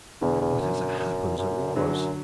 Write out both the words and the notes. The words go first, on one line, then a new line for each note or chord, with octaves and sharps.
But as it happens, it was.
E2 B2 D3
E2
F#2
F#2
F#2
E2 D3 F#3
F#2